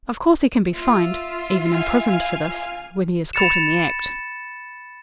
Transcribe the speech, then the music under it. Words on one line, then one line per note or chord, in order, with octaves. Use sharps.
Of course he can be fined--even imprisoned for this--when he is caught in the act.
F4 E5
F5 G#5 F6
B5 A6 C#7 E7